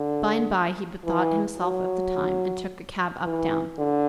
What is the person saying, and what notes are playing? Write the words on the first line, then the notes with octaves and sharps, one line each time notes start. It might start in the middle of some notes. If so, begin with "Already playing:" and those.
By and bye he bethought himself of the time, and took a cab uptown.
Already playing: D3
E3
F#3
E3
D3